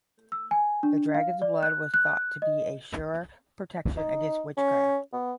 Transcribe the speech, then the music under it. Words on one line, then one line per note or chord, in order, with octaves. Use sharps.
The dragon's blood was thought to be a sure protection against witchcraft.
E6
G#5
D4
F5
D5
F#6
F#6
D#5
D#4
C#4
B3